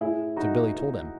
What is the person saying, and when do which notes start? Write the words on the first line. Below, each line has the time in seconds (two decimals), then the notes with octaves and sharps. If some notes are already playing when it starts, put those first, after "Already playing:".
So Billy told him.
0.01 A2 E4 G#4
0.37 E3 D#4 F#4
0.73 E3